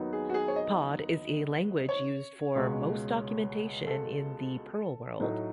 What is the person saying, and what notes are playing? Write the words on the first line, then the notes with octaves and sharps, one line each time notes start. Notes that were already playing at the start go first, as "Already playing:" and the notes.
Pod is the language used for most documentation in the Perl world.
Already playing: D#2 D#3 F#3 B3 D#4
G#4
F#4
G#4
C#5
D#5
C#5
C#2 B2 G#3
A4
A2 F#3 A3 D#4